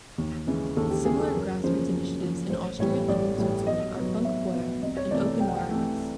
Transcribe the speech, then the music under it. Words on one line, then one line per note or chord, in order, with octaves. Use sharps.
Similar grassroots initiatives in Austria and in Switzerland are FunkFeuer and Openwireless.
D#2
C#3 E3 G#3
D#2 A4
G4
C#3 E3 G#3 G#4
A4
F#2 A#4
C#3 F3 A#3 C#4 C5
F#2
C#3 F3 A#3 C#4
A1 C5
A2 E3 G3 C#5
A1 D5
A2 E3 G3
B1 D#5
B2 F#3 B3
B1 E5
B2 F#3 B3
C2 D#5
C#5
C3 E3 A3 D5
C#5
C2 G5
F#5
G5
C3 E3 A3